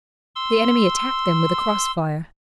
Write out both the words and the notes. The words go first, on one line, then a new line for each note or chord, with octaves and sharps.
The enemy attacked them with a cross-fire.
C6 E6